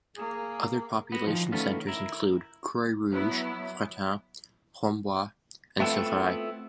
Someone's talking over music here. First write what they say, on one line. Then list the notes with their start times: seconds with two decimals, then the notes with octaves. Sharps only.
Other population centers include: Croix Rouge, Fratin, Huombois, and Sivry.
0.17 A#3 G#4
1.12 B3 F#4
1.27 D#3 F3
1.52 D#3 A3 B3 C#4 F4
1.87 E4 A#4
3.12 F#3 B3 E4
5.80 A3 B3 C4 E4 F4 A4